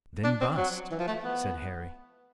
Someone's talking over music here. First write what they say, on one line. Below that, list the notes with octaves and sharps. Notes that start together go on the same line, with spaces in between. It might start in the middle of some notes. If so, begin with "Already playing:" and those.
"Then bust," said Harry.
D4
C4
F#3
E3
F3
A3
B3